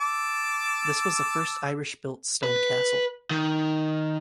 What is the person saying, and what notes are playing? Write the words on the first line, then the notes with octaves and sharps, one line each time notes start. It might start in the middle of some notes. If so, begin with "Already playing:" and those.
This was the first Irish built stone castle.
A5 D6 E6
B4
D#3